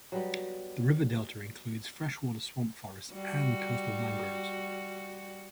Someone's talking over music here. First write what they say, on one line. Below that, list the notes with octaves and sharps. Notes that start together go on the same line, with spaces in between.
The river delta includes freshwater swamp forests and coastal mangroves.
F#3 G3 B3
G3 F#4